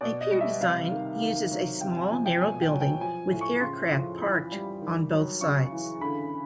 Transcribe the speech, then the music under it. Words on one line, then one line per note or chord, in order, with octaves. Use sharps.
A pier design uses a small, narrow building with aircraft parked on both sides.
B2 D5
D#5
G3
E5
C3 F5
D#3
D#3
F#3
C3 G5
G#5
F3 G#5
G5
B2 G#5
G5
F#3
G5
F3 G#5
A2
C#6
C#3 C6
F3
E3 B5
G3
D#3
F#3
C#3 C#6
E3
D3 B5